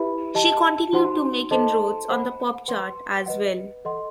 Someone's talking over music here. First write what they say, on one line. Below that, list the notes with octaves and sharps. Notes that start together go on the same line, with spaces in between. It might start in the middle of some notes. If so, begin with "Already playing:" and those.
She continued to make inroads on the pop chart, as well.
Already playing: E4 G4 B4 E5 B5
G4 D#5 A5
D#4 F#4 C5 F#5 C6
A4 C5 D#5 A5 C6
C5 F#5 B5
B4 F#5 C6
B4 D#5 F#5
A4 D#5 F#5 C6